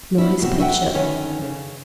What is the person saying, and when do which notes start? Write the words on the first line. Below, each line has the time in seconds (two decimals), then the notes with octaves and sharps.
"Nor his picture?"
0.18 B3 C#4 D4 E4
0.41 A2 C3 B3 F#4
0.59 F#4 B4 E5 F#5 G5
0.94 D3 D#3 C#4 B4 C#5
1.41 C#3